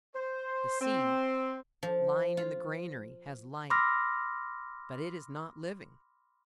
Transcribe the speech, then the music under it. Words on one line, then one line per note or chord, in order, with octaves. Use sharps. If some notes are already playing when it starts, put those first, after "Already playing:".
The seed, lying in the granary, has life, but it is not living.
C5
C4
F3
F4
B5 C6 D6 E6 F6 A#6